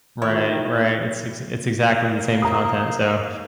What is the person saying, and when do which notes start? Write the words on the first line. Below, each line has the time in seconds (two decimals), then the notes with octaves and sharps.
Right, right. It's ex it's exactly the same content. So,
0.22 D#3 E4 F4 G4 A#4 C#5
2.08 A#3
2.42 A#5 D#6